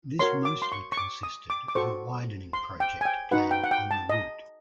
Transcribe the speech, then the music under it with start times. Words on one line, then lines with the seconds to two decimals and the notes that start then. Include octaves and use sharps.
This mostly consisted of a widening project planned on the route.
0.19 F#4 A#4 C#5 C6
0.45 D6
0.62 C6
0.72 C#6
0.92 C#6
0.97 D6
1.23 D#6
1.50 D6
1.68 D6
1.75 F#4 A4 C5 C#6
2.53 C6
2.80 G5
3.01 G#5
3.05 G5
3.31 D#4 F#4 B4 F#5
3.51 G5
3.64 F#5
3.71 G5
3.91 A5
4.10 D#5